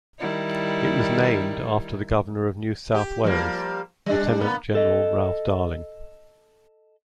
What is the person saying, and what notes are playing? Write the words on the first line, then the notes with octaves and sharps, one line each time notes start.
It was named after the Governor of New South Wales Lieutenant-General Ralph Darling.
D#3 G3 E4
G4
F3 G3 A#3
G3 D4
A#3 B3
A4 D#5